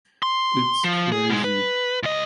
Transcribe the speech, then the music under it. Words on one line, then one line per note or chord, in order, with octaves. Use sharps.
It’s crazy.
C6
F3
G#4
B2 G#3
B4
C#2 D#5